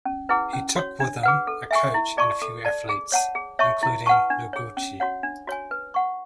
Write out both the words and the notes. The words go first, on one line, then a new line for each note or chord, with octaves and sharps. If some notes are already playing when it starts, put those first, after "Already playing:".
He took with him a coach and a few athletes, including Noguchi.
C#4
E4 G#4 B4 F#5
C#4
F#4 C#5
D4
G#4 B4 F#5
A4
E5 G#5 C#6
E4
G#4 D5 A5 C#6
A4
D5 A5
G#4
C#5 F#5 A5
G#4
C#5 E5 A5 C#6
E4
B4 F#5 A5 C#6
D4
G#4 C#5
C#4
F#4 C#5 F#5
D4
F#4 C#5 G#5
B4
F#5 C#6